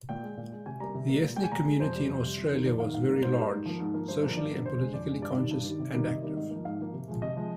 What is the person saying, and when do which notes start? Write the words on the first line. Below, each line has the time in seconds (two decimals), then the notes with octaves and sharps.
The ethnic community in Australia was very large, socially and politically conscious and active.
0.09 A#2 G5
0.23 G#3
0.37 A#2
0.52 G#3
0.66 C3 G#5
0.80 G3 A#3 A#5
0.95 C3
1.09 G3 A#3
1.23 A#2
1.36 G#3 G5
1.44 G#5
1.52 A#2 A#5
1.66 G#3
1.80 F2 C5
1.94 C3 G3
2.09 F2
2.23 C3 G3
2.37 F2
2.51 D#3 A#3
2.65 F2 D5
2.80 D#3 A#3 F5
2.94 G#2 F5
3.08 G3 A#3
3.22 G#2 C5
3.37 G3 A#3
3.51 G#2
3.65 F3 A#3
3.80 G#2
3.94 F3 A#3
4.08 G2 C5
4.23 D3 F3 A#3
4.37 G2 D5
4.51 D3 F3 A#3
4.65 F2 C5
4.80 D3 G#3
4.93 F2 D5
5.08 D3 G#3
5.22 G2 D5
5.37 D#3 G3
5.51 G2
5.65 D#3 G3
5.80 C3
5.93 D#3 G3 A#3
6.08 C3 D#5
6.22 D#3 G3 A#3
6.36 G#2 D#5
6.50 A#3
6.55 F3
6.65 G#2 F5
6.79 F3 A#3
6.93 C3
7.08 F3 G#3
7.22 C3 D#5
7.36 F3 G#3